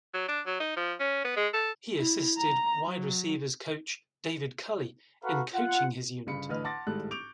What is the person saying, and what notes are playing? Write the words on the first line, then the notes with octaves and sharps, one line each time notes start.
He assisted wide receivers coach David Culley in coaching his unit.
F#3
D4
F#3
D#4
F3
C#4
B3
G#3
A4
E4
A#5
F#3
F#4 A4 B4 F5 F#5 A#5
F4 F#5
G1 C#3 B5 C#7
A1 D3 B4 D#5 F6
F#5 A5 C6 D6 A6 A#6
G#1 A2 G3 G#3 A4 F#6
C#6 D6 G6 D7 F7